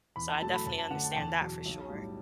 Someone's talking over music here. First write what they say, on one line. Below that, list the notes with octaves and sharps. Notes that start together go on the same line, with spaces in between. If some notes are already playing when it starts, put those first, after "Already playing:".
so I definitely understand that for sure.
E2 B5
A5
B2 F#3 A3 A5
B5
F#2 A5
A5
D3 A3 F#5
A5
G5
E2 A5
B2 F#3
B1
A2 G3